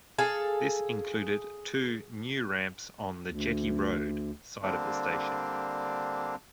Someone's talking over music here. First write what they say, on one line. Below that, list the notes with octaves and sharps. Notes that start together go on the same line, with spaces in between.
This included two new ramps on the Jetty Road side of the station.
G#4 A4 F5
D2
D3 G3 A#3 C4 D4